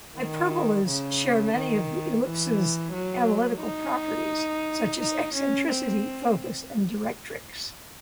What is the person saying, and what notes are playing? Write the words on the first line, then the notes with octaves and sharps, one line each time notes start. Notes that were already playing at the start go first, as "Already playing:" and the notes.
Hyperbolas share many of the ellipses' analytical properties such as eccentricity, focus, and directrix.
D#3
C#3
D#3
E3
F#3
D#4
D#4
C#4
C4